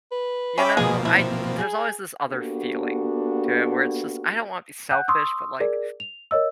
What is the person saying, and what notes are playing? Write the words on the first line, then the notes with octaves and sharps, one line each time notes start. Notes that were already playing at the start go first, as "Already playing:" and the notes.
you know, I there's always this other feeling to it where it's just I don't want to be selfish, but, like
B4
C#4 E5 G5 B5 D6
B2 F3 A#3 G#4 B4
C4 E4
G#4
A#3 B3 D4 F#4 G4 A4
F#5 F#6 G6
C6 C#6 D#6 E6
G#4 A#4 D5
F7
A#4 C#5 D#5 E6